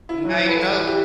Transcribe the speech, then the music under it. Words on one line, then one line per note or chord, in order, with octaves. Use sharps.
Now you know.
E4
F#3
E4
B4
E3 A4
G4